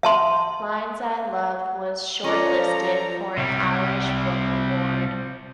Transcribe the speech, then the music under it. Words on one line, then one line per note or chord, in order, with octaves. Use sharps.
"Lines I Love" was shortlisted for an Irish Book Award.
E5 A5 C6
F3 C#4 A4 D5 A#5
C3 G3